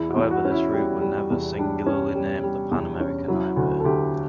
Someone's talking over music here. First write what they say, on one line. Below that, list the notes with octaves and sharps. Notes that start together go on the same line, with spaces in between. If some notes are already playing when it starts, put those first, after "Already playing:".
However, this route was never singularly named the Pan-American Highway.
Already playing: E2 E4
F#4
E2
F#4
C#4
E4
G3
G3
E2
G3 D4
C#4
G3
G3
E2
C#4
F#3 E4
D2 F#4
A4
D2 G4